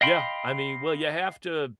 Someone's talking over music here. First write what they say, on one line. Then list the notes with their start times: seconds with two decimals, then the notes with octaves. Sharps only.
Yeah, I mean, well, you have to,
0.01 D#5 F5 G5 B5 C6